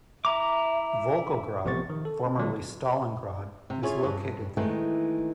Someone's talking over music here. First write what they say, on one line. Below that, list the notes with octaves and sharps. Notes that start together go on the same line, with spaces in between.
Volgograd, formerly Stalingrad, is located there.
E4 E5 A#5 D6
A1 C3 F3 B3 C#6 A6
D#3
A4
C4
D3 F#3 G#3
C3
C#4 E4 F4 G#4 C#5
G2
D#3 E3 G#3 A3